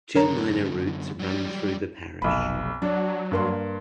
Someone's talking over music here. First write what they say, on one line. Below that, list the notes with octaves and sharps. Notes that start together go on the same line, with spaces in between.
Two minor routes run through the parish.
F#2 D3 A#4 C#5 A#5
F#3 G3
F1 B1 B5
F#3 D4
G2 A#3 C6